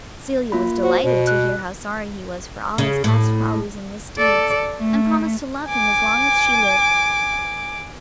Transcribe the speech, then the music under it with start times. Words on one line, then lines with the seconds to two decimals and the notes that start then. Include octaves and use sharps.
Celia was delighted to hear how sorry he was for all his past follies and misdeeds, and promised to love him as long as she lived.
0.52 A#3 F4 B5
0.83 F#4 C5
1.03 B2
1.27 F#6
2.78 C#3
3.04 A2
4.18 A4 D5
4.79 A3
5.68 G#5 D6